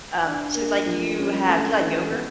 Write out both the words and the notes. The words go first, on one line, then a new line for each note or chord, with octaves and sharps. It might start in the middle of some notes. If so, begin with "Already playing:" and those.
Um, so like, do you have do you like yogurt?
D4
A#3
F3
C#4
A3
E3
B3